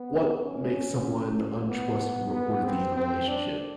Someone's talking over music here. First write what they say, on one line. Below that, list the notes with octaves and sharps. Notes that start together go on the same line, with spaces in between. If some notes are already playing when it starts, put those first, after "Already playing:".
what makes someone untrustworthy in a relationship?
Already playing: B3
C#4
B3
B3
C4
C4
D4